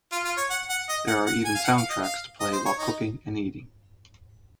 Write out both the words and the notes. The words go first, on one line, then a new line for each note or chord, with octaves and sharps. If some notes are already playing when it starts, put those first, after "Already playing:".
There are even soundtracks to play while cooking and eating.
F4
F4
C#5
F#5
F#5
D#5
F#5
F#5
G#5
F5
F#5
F5
D#5
F5
D#5
C5
C#5
D#4